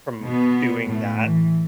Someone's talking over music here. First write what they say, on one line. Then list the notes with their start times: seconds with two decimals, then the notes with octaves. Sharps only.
from doing that
0.22 B2 B3
0.89 A2 A3
1.24 E3